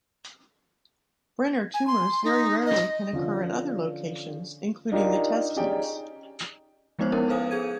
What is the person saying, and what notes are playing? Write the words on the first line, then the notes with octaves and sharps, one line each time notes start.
Brenner tumours very rarely can occur in other locations, including the testes.
G#5
C6
D#4
D#5
D3 F3 C#4
D4 D#4 F4 G4 A#4
C#4 D#4 G4 G#4 D5 G5
F3 G#3 B3 D#4 C5 C#5
B3 C#4 E4 A#4
A4 B4 C5 F5 G#5 D#6
G#4 F5 G#6 D#7